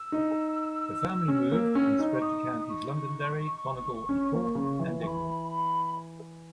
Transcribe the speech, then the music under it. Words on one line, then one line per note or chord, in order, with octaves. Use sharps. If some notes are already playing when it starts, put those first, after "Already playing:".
The family moved and spread to counties Londonderry, Donegal and Cork, and England.
Already playing: E6
D#4
C#4
A#3
C#4
D#4
C#6
D#6
C#6
C#4
A#3
C#3
E3
E3 C#6
B5
B5